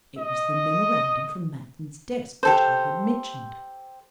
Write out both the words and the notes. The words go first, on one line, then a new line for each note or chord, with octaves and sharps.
It was the memorandum from Manton's desk which I had mentioned.
D#5
G4 A4 C5